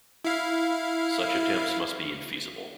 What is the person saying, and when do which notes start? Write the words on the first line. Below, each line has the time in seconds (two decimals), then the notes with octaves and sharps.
Such attempts must be infeasible.
0.25 E4 F5